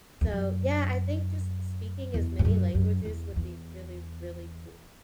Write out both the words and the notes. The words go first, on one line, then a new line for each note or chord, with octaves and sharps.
so yeah, I think just s speaking as many languages would be really, really cool
E2
F#2
E2
G#2
F#2
F#2
E2
E2